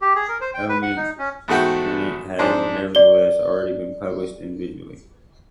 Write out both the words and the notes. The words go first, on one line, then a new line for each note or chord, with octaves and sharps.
Elements in it had nevertheless already been published individually.
G4
G#4
A#4
C5
G5
B4
F#5
D#4
C#4
E2 G#2 A3 F#4 G5
G#2 D4 C5
D5 G7